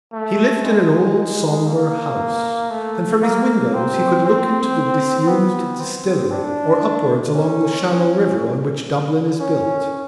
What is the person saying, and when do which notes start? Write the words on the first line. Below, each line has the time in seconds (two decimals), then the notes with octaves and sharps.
He lived in an old sombre house and from his windows he could look into the disused distillery or upwards along the shallow river on which Dublin is built.
0.12 A3
0.64 G#3
1.67 A#3
2.70 A3
3.22 A#3
3.74 C4
4.26 C4
5.27 B3
5.80 C4
6.31 D4
7.34 C#4
9.40 C#4